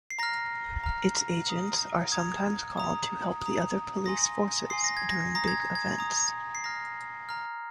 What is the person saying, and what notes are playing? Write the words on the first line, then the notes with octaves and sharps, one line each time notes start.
Its agents are sometimes called to help the other police forces during big events.
C7
A#5 F6 A#6
A#5 F6
A#5 D#6
A#5 D#6 G#6
A#5 D#6
A#5 D#6
G#5 C6 D#6 A#6
G#5 C6 D#6 C7
A#6
G#6
A#6
A#5 D#6 A#6
G#6
G#6
A#5 D#6
C7
A#5 F6 A#6
A#5 F6